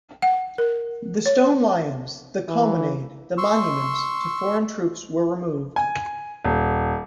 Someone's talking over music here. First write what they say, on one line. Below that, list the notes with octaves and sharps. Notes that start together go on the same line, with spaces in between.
The stone lions, the columnade, the monuments to foreign troops were removed.
F#5
A#4
C#5
E3
C6 C#6 E6
G#5
D#1